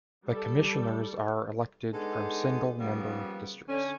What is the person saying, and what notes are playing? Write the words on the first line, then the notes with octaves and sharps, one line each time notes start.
The Commissioners are elected from single-member districts.
G3 A4
G#3 B3 D4 D#4 A4
C#3 F3 G3 A#3 B3
D3 C#4